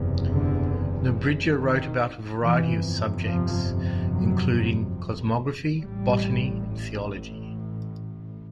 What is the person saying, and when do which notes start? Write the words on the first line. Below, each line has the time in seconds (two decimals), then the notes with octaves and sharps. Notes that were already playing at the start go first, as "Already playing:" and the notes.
Nebrija wrote about a variety of subjects including cosmography, botany and theology.
Already playing: F#1 E2 C3
0.31 D3
1.58 D#3
2.42 G1 F2 C3 E3
3.27 F3
4.11 F#3
5.80 A1 A2 G3